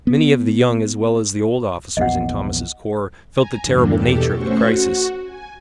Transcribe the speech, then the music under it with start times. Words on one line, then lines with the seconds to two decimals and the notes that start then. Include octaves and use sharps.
Many of the young as well as the old officers in Thomas' corps felt the terrible nature of the crisis.
0.07 B3
1.97 A#1 E2 B3 D#5 F#5
3.32 G#5 A#5
3.62 E2 G2 D3 A#3 D4
3.90 E2 B2 G4 A4
4.30 A3 C#4 F#4 C5 C#6
4.66 F#4
5.24 G#5